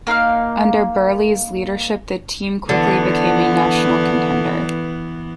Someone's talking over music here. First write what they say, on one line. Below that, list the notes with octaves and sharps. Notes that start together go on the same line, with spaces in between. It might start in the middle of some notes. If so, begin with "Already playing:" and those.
Under Burleigh's leadership, the team quickly became a national contender.
A#3 D#4 F5 F6
D3 E3 B3